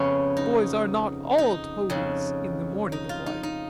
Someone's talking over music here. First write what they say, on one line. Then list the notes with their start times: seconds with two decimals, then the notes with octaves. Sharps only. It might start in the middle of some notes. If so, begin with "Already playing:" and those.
Boys are not ALL toadies in the morning of life.
Already playing: F2 C#3 B3 C#4
0.37 D#4
1.38 D#4
1.90 F2 C#3
2.92 D#4
3.09 F4
3.26 D#4
3.43 D#4